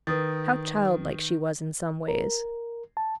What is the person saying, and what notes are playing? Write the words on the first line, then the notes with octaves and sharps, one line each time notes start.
How childlike she was in some ways!
D#3 B4 D#6 A6
A#4
A5